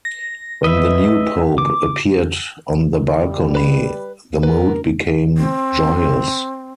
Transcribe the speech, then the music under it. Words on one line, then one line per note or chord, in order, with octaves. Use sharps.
When the new pope appeared on the balcony, the mood became joyous.
A#6
B4 D#5 E5
D6
G3
B4 B5
B3 A#4 B4
C4